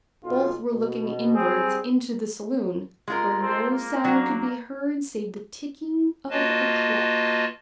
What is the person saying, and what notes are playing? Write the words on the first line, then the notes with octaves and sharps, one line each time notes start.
Both were looking inwards--into the saloon, where no sound could be heard save the ticking of a clock.
B1 F4
B2
G3 C4 G#4
G#3 F4 A#4
C4 A4 C5
A#3
F#3 D4
A#3 F4 F#4 B4 D#5 A5